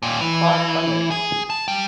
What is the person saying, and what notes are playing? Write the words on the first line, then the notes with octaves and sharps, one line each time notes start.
Far from it.
D#2 A#2
E3
G#4
A5
G3